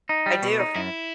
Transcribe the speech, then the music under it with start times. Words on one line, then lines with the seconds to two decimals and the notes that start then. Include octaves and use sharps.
I do.
0.09 D#4
0.26 G3
0.43 B2
0.59 D#4
0.76 F#2 E4